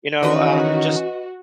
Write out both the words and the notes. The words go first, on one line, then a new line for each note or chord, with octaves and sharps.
you know, um, just
D#3 E3 C#4 F#4 B4 D#5